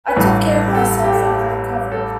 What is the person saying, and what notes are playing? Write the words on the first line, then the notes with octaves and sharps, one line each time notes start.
I took care of myself and I recovered.
B4
A1 G2 E3 A4
G4
A4
G4
A4
G4
G4
A4